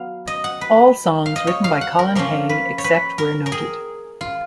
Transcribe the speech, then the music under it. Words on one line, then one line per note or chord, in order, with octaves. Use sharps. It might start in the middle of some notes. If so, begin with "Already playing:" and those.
All songs written by Colin Hay, except where noted.
Already playing: F#3 B3 F4 F5
D#5
F#5
B4
F5
D#5
C#5
F5
F#5
A#4
F3 A#3 C#4 F4 A#4
B4
C#5
B4
A#4
A#4
G#4
F4